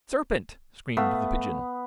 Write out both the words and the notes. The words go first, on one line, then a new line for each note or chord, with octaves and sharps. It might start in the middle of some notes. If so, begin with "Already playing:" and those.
'Serpent!' screamed the Pigeon.
A3 B3 E5 F5